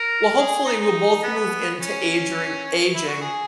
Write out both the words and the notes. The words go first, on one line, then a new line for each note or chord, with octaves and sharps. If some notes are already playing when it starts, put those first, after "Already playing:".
Well, hopefully, we'll both move into age ring aging
Already playing: A#4
G#4
D#4
D#4
B3
C#4
E4
F#4
G#4